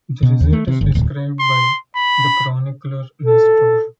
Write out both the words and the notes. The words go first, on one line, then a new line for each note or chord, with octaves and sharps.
The result is described by the chronicler Nestor.
B2
D#2
A3
C3
G1
D1
C6
B5
A4